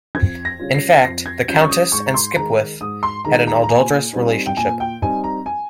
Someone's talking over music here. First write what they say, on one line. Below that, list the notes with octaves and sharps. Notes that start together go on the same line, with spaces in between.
In fact, the countess and Skipwith had an adulterous relationship.
F2 G#6
A#6
C#3 G3 C#4 F4
C7
F2 A#6
G#6
C#3 G3 C#4 F4 G6
C#6
D#6
G#2 C#6
A#5
C6
D#3 G#3 D#4 A#5
G#2 D#6
C6
D#3 G#3 D#4 A#5
A#5
A#5
A#2 G#5
G3 C4 D#4
G5
A#2 G#5
G5
G3 C4 D#4 G#5
A#5
G#5